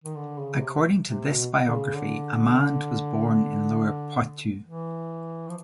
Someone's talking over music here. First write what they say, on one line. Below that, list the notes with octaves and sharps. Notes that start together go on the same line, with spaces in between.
According to this biography, Amand was born in Lower Poitou.
D#3
D3
C#3
C3
C3
B2
D3
C#3
D3
E3
F3